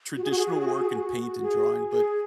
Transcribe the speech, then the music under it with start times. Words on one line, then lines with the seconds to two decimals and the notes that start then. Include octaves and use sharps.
traditional work and paint and drawing, but
0.17 F#4
0.24 G#4
0.31 F#4
0.38 G#4
0.46 F#4
0.53 G#4
0.61 F#4
0.68 G#4
0.75 F#4
0.82 G#4
0.89 F#4
1.43 G#4
1.92 G#4